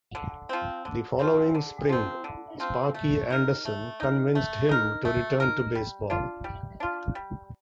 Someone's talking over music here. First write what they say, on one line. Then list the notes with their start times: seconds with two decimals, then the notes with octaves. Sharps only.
The following spring, Sparky Anderson convinced him to return to baseball.
0.15 D3
0.49 F3 C4
0.85 D3
1.19 F3 C4
1.55 D3
1.89 F3 C4
2.24 D3
2.60 F3 C4
2.94 A3
3.30 D#4 A#4
3.65 A3
4.00 D#4 A#4
4.35 A3
4.69 D#4 A#4
5.05 A3
5.40 D#4 A#4
5.75 G3
6.10 D4 F4
6.44 G3
6.80 D4 F4
7.15 G3